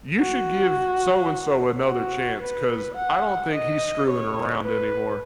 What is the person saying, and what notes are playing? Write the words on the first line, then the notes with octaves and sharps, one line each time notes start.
you should give so-and-so another chance, 'cause I don't think he's screwing around anymore.
F#4
F#4
B4
F#5
D#5
C#5
B4